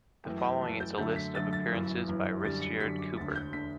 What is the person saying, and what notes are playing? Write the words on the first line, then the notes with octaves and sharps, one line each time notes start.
The following is a list of appearances by Risteard Cooper.
F#2 E3 A3 G5
G5
F#2 E3 A3 A5
G6
F#2 D3 F#3 A3 G6
B6
F#2 D3 F#3 A3 A6
A6
G1 F#2 E3
G1 F#2 E3
F#2 D3 G3 A6
C#7
F#2 D3 G3 B6
D6
E1 D2 D3 A6
G6
D3 B6